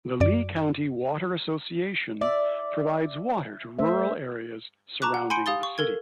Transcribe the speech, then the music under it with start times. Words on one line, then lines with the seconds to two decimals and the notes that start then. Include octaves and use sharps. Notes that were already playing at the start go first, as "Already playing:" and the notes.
The Lee County Water Association provides water to rural areas surrounding the city.
0.20 F#2 D5
2.21 D5 E5
3.79 A3 C5 E5
5.02 A5 A#5 C#6 D6 F#6
5.14 F#5
5.30 G#5 B5 C6 G6 C#7 D7
5.46 G4 F5 D#6 A6 G7
5.63 C#6
5.78 A4 A#4 G#6